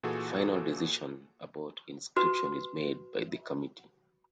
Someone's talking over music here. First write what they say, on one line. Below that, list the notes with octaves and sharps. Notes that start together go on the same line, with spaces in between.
The final decision about inscription is made by the committee.
A#2 E3 F#4 G#4 A4
F#4 B4